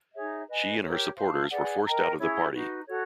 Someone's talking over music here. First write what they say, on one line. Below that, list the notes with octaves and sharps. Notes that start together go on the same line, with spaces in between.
She and her supporters were forced out of the party.
D#4 G#4 C#5 E5
B4 D#5 G#5
G4 A#4 C#5
C5 F5 A5
G#4 B4 D5 F#5
A#4 D#5 G5 A#5
C#4 E4 G#4 C#5
D#4 F#4 B4
F#4 A4 C#5 F#5